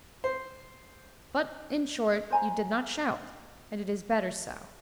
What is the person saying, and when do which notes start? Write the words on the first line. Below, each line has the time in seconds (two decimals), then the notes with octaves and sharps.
But, in short, you did not shout, and it is better so.
0.24 C5
2.30 C5 G#5 A#5